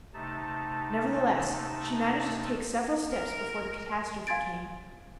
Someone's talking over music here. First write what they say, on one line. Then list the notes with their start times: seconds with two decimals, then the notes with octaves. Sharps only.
Nevertheless, she managed to take several steps before the catastrophe came.
0.14 C3 A3 D#4 A5
3.10 A#4
4.27 F5 G#5 C6 G#6 A6 D7